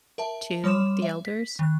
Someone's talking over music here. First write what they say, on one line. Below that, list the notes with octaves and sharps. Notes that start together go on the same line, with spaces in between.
to the elders.
A#4 E5 A5
G3 C#5 C6 D6 E7
E5
B6
D#3 F#6